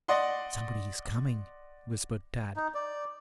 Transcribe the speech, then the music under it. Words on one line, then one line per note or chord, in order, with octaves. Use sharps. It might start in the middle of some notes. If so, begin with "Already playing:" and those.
"Somebody is coming," whispered Tad.
D5 D#5 F#5 C6
D#4
D5